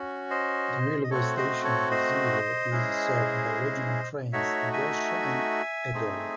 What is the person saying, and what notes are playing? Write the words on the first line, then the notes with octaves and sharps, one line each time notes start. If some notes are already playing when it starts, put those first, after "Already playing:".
The railway station of Iseo is served by regional trains to Brescia and Edolo.
Already playing: C#4 F#4
C5 D#5
D#5
A3 C4 F#4 A4 C#5
C5 D#5
A4 C#5
C5 D#5
G#3 C#4 E4 G#4
A3 D#4 F#4 C#5 E5
E5 G#5
A3 C4 D#4 G#4